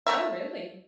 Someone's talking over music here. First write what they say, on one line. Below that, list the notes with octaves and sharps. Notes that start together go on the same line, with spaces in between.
Oh, really?
A3 A#4 E5